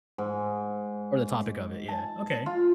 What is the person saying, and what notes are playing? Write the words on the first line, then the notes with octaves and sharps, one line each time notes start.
or the topic of it, yeah, okay.
G#2
A5
F4